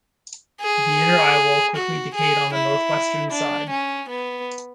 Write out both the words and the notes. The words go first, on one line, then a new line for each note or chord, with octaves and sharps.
The inner eyewall quickly decayed on the northwestern side.
G#4
F#4
G#4
E4
D4
C#4
B3